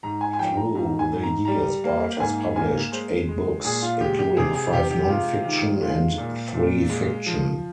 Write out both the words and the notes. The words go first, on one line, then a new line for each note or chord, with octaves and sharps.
Through the years Bart has published eight books, including five non-fiction and three fiction.
G#2 A#5
G#5
G#5
F3 G5
A#5
G#2 A#5
G#5
G#2
A#5
G3 A#5
A#3
G#2 G#5
A#3 G#5
G#3 C5
G#3
A#2 G#4
F4
G#3 G4
G4
C3 G#4
G#4
C3 G4
G4
G#3 F4
D#3
G#3 F4
A#2
A#2
G#3
F3